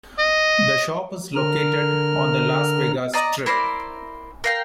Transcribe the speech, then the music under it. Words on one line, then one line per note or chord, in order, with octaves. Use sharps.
The shop is located on the Las Vegas Strip.
D#5
D3 A#4 F6
D5 D#5 A#5
E4 A#4 C5 D5
A#4 F5 G5